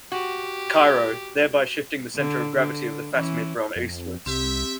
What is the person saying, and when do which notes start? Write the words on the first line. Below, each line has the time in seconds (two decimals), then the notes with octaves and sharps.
Cairo, thereby shifting the centre of gravity of the Fatimid realm eastwards.
0.12 F#4 G4
2.15 D3
2.56 D3
3.13 E3 C#4
3.76 F2
4.26 C2 C4 G4 E5